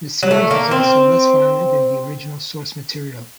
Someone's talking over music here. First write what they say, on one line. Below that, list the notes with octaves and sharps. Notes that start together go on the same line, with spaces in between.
The series is also less violent than the original source material.
F#3
A3
A#3
C4